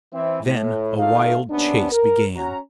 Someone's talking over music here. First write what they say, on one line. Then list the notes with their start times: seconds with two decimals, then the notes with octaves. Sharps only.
Then a wild chase began.
0.14 E3 C4 E5
0.43 A2
0.98 D2 A2 A3 D#4 F4 F5
1.50 D#2 C3 B3 C#4 D4
1.92 A#4
2.36 C#4 F#4 A#5